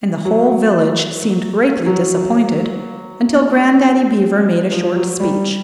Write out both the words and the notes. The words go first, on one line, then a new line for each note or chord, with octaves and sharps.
And the whole village seemed greatly disappointed, until Grandaddy Beaver made a short speech.
F#3
F#3
F3
F#3
G3